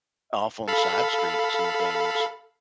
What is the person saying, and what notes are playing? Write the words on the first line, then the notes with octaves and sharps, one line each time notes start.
off on side streets and things,
A4 F5 B5